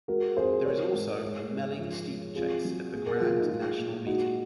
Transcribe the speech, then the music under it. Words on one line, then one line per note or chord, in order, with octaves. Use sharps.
There is also a Melling Steeplechase at the Grand National meeting.
G#3 F#4 A#4
F2 G#4 C5
G#3 A#4 C#5
G#2
G#3
G#2
F3
G#3
C3 F4 G#4
F#3
A#2 G#4
A#4
F#3 F4 G#4
D#4
G#3 F4
A#2
G#3 D#4 F#4